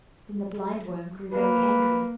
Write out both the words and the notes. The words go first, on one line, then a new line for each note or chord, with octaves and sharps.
Then the Blindworm grew very angry.
A#3 B4